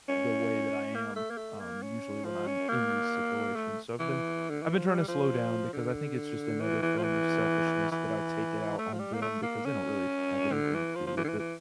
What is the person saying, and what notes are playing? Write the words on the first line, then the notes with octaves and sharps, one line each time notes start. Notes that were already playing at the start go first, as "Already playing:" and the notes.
the way that I am, um, usually when I'm in these situations. So, I've been I've been trying to slow down, because I think it's just another form of selfishness that I take it out on them, because they don't really have anything to do with it.
C#4
A#3
A3
A#3
A3
A#3
C#4
F3
C#4
A#3
A3
E3
D3
E3
F3
G3
F3
D3
E3
E3
F3
E3
E3
A3
F3
G3
A#3
A3
A#3
C#4
D3
E3
F3
F3
E3
D3
E3
E3